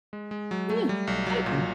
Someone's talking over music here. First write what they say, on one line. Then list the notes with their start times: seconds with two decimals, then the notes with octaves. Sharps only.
Yeah, exactly.
0.13 G#3
0.31 G#3
0.51 F#3
0.70 A3
0.89 G3
1.07 B1
1.27 F#3
1.46 A#2